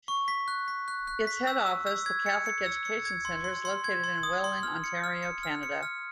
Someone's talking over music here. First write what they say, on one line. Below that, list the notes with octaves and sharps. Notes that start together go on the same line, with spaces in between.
Its head office, the Catholic Education Centre, is located in Welland, Ontario, Canada.
C#6
B6
F#6
B6
F#6
F#6
B6
E6
E6
E6
G#6
C#7
C#7
E6
C#7
G#6
C6
C6
C6
G#6
C6
D#6
C6
F6
C#7
F6
C#7
F6
C#7
F6